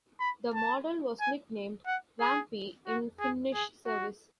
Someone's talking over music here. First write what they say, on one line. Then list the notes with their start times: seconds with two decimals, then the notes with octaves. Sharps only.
The model was nicknamed "Vamppi" in Finnish service.
0.20 B5
0.54 A5
1.20 G#5
1.86 F#5
2.20 G#4
2.87 F#4
3.20 G#4
3.54 G#4
3.86 F#4